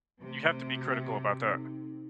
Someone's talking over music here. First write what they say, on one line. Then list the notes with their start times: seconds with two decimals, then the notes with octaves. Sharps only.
you have to be critical about that.
0.22 C3 A3
0.64 C4 F#4
1.04 C4
1.46 D#4 A4
1.88 D#4